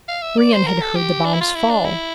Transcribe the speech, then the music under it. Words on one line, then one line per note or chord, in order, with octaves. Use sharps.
Brion had heard the bombs fall.
F5
E5
D5
C5
A#4
A4
G4
D4
E4
F4
E4
D4
E4